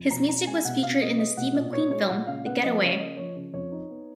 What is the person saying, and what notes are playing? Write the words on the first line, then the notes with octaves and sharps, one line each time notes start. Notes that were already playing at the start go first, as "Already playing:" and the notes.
His music was featured in the Steve McQueen film "The Getaway".
Already playing: F2
B2 A#5
C#4 A#5
G#3 G#5
B2 F#5
B2 F5
B3 D#5
G#3 D#5
B2 F#5
A#2 D#5
D#4 C#5
G#3 C#5
A#2 F#5
C#3 F5
B3 F#5
F3 D#5
C#3 C#5
A#3 D#5
F3 C#5
C#3
F2 C#5
D#4
B3